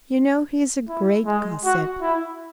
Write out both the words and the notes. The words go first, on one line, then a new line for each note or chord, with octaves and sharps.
You know he is a great gossip.
E4
G#3
F#4
E4